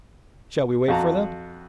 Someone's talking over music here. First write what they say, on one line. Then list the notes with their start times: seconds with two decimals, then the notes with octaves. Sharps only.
"Shall we wait for them?"
0.88 F2 F#4 A5 A#5